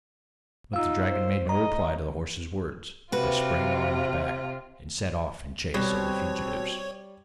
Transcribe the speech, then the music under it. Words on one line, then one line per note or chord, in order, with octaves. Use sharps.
But the dragon made no reply to the horse's words, but sprang on his back and set off in chase of the fugitives.
D#4 F4 F5 E6
C5
D#5 A#5
C3 F4 F#4 B4
B2 G3 C4 C#5